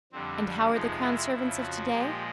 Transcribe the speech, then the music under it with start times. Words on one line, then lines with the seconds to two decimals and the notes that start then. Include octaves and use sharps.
And how are the crown servants of to-day?
0.12 F2 D3 G3 C4
0.72 F2 C3 F3 G#3 D#4
1.02 E4
1.32 F2 C#3 F3
1.61 F#4
1.92 A#2 F3 G#3 G4